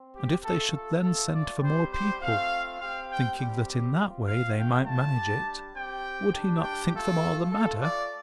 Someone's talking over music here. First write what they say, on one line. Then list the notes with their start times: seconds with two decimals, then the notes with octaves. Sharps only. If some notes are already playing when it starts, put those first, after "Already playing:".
And if they should then send for more people, thinking that in that way they might manage it, would he not think them all the madder?
Already playing: C4
0.14 G4
0.43 A3 F4 A4
0.73 A4
1.02 A3 F4 A4
1.32 D5
1.61 G3 C4 G4 C5
1.91 C5
2.20 A3 C4 F4 F5
2.79 C4 G4 F5
3.09 G5
3.39 G3 C4 G4
3.97 C4 F4
4.26 F5
4.57 A3 D4 F4 G5
4.86 A5
5.15 G3 D4 G4
5.74 C4 G4 G5
6.33 G3 D4 G4
6.62 G5
6.92 A3 F4 A4
7.51 A3 F4 A4
7.81 D5